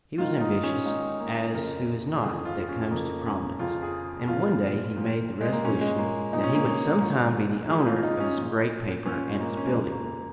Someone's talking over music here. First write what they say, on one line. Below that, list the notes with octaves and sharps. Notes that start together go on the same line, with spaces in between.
He was ambitious, as who is not, that comes to prominence; and one day he made the resolution that he would sometime be the owner of this great paper and its building!
G#2 D#3 F4
D#4
C#4
G#2 D#3 D#4
A#3
F2 C#3 F3 A#4
F2 C#3 F3 G#4
F4
C#4
F2 C#3 F3 A#3
C#4
F2 C#3 F3 F4
G#4
A#2 F3 F4
A#2 F3
G#3
A#3
A#2 F3 C#4
G#3
A#3
A#2 F3 D#4
C#4
A#3
C#4
G#2 F3
G#2 F3 G#4
F4
D#4
C#4
A#2 F3
A#2 F3 C#4
G#3
A#3
C#4
G#3
F2 C#3 F3 A#3
A#3